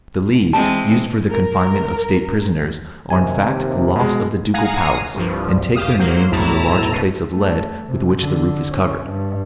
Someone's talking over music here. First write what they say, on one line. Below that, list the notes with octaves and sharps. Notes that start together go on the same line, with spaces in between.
The Leads, used for the confinement of state prisoners, are in fact the lofts of the ducal palace, and take their name from the large plates of lead with which the roof is covered.
E3 G#3 C4 A5
A#4
D#2 C3 G#5
B2 G#3
F5 F#5 G#5 A#5 D#6
C2 G2 F3
E2 G4 F5 D#6 E7
F#3 A#3 C5
B1 E2 A2 E4 A5 A#5
C#2 G#2 B2 C7 D#7
A3
C3
D3
C#4
G2